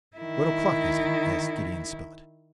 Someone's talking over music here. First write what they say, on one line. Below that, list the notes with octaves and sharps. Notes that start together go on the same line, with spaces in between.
"What o'clock is it?" asked Gideon Spilett.
D#3 E4